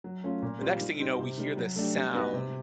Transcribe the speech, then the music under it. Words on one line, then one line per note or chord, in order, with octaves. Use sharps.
the next thing you know, we hear this sound
F#3
A3 C#4 F4
A#2
G3 C4 F4
D#3
G3 C4 D#4
C3
D#3 G3
F#3
A3 D4 G4
G3
B3 D#4 F#4
C3